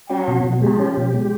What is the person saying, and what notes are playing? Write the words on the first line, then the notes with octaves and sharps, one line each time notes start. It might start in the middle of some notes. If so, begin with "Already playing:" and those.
and, um,
C#4 F#4
B2
B2
G#3 G4
C#4
B2
G#3